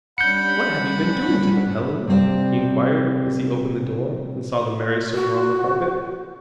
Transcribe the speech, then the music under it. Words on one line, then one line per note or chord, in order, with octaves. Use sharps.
"What have you been doing to them, Helen?" he inquired, as he opened the door, and saw the merry circle on the carpet.
G3 C#4 D4 F#5 B5 G6 C#7
C3 G3 C4 C5 F5
F#4